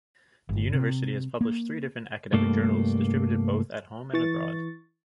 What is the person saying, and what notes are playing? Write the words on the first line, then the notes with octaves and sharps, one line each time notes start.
The university has published three different academic journals, distributed both at home and abroad.
G1
C3
A#3
C2 G2 A3 A#3
E3 C#6 A6